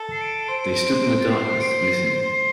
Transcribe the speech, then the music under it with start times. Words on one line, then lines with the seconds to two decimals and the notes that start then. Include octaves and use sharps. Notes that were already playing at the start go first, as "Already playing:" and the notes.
They stood in the darkness listening.
Already playing: A4
0.12 C7
0.21 D7
0.48 C5
1.20 A6
1.30 C5 C7
1.61 D7
1.70 C7
2.11 C5 C7